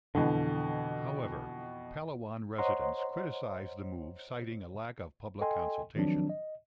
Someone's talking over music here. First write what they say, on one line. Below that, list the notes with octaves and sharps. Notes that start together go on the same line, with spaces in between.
However, Palawan residents criticized the move citing a lack of public consultation.
F2 B2 D3 E3
C5 C#5 D#5 F#5 A#5 C6
A4 D#5 G5 G#5 C6
D#3 F3 F#3 C4 D4
D#5